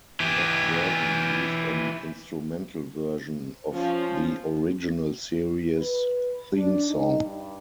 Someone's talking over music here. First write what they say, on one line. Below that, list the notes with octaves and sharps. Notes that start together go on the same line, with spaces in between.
That version used an instrumental version of the original series' theme song.
E3 G4
F3 C#4
B4
D4
D#4
G2